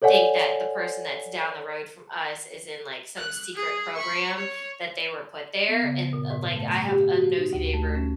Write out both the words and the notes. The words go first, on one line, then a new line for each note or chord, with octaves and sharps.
think that the person that's down the road from us is in, like, some secret program that they were put there," and, uh, like, I have a nosy neighbor
A4 C#5 D5 F#5 G#5
F#6
G#4
B5 C#6
C#5
B3
C#3
A#2
G#2
A3
G4
F#4
D#4
D2
A3
C#4